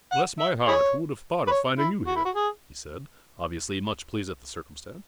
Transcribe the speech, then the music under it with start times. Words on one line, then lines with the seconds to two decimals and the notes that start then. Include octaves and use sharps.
"Bless my heart, who would have thought of finding you here," he said, obviously much pleased at the circumstance.
0.12 F#5
0.39 E5
0.68 E4 G#4 C#5
1.47 B4
1.51 C#5
1.78 E4
2.07 F#4
2.16 E4
2.25 F#4
2.35 G#4